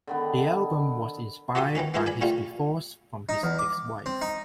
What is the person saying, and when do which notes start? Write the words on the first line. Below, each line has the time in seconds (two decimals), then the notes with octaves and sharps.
The album was inspired by his divorce from his ex-wife.
0.07 D3 D#3 B3
1.55 F#4 G4 A4 C6 D#6
1.75 D#3 E3 C#4 D#4
1.94 E3 G#3 E4 F4 G#4 A#4
2.06 D5 G#5 B5
2.21 A#2 G3 A3 F4 G5
3.29 D#4
3.43 E2
3.59 D6
4.06 C4
4.22 D#4